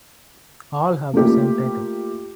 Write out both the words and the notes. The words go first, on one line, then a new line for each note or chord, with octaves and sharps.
All have the same title.
A3 A#3 F4 G4